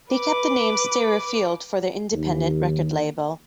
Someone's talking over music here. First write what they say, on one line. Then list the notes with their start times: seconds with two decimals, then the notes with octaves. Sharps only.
They kept the name Stereo Field for their independent record label.
0.12 B4 D6
2.12 D#2